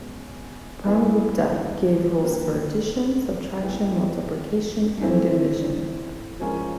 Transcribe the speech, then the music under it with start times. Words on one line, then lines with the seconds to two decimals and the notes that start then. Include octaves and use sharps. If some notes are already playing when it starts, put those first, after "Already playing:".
Brahmagupta gave rules for addition, subtraction, multiplication and division.
Already playing: B2 G#3 C#4
0.84 G3 B3 E4 G#4
2.23 A#3 D4 G4 B4
3.62 G#3 B3 E4 G4
5.01 E3 A3 C4 E4
6.40 F3 G#3 C#4 F4 A#4